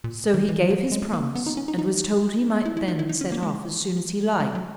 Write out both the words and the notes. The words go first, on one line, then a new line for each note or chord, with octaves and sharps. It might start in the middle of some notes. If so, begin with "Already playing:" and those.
So he gave his promise, and was told he might then set off as soon as he liked.
A#2
D#3
E3
F#3
G#3
A#3
B3
D#4
C#4
D#4
D#4
E4
E4
D#4
E4
D#4
C#4
A#3
G#3
G#3
F#3